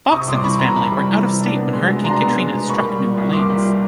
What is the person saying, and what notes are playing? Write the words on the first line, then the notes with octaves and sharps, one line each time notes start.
Fox and his family were out-of-state when Hurricane Katrina struck New Orleans.
C3 C#6 D#6
G3 C6 D6
E3 B5 C#6
C3 A#5 C6
C3 A5 B5
G3
E3
C3
D4
B3
G#3
B2
D4 A#5 C6
B3
G#3
B2
A#3 B5 C#6
G3
A#2
C2
A#3 C6 D6
G3
A#2